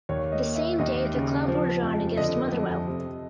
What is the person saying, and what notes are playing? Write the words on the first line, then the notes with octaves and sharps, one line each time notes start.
The same day the club were drawn against Motherwell.
D#2 C#5
D#5
A#3
E5
D#2 D#5
C#3
F3
F2
D3 D#5
F2
C3